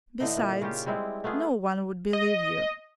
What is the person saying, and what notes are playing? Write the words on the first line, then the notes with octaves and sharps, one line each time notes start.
Besides, no one would believe you.
A2 D3 E3 D#4
A#2
C#3 C#4 F4 G4
G3 G#3 C4 E4
A3 B3 F4 G#4
D#5